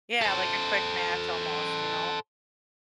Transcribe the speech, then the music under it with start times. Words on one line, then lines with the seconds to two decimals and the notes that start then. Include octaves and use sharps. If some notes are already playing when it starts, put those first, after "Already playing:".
Yeah, like a quick match almost, you know?
0.22 A4 C5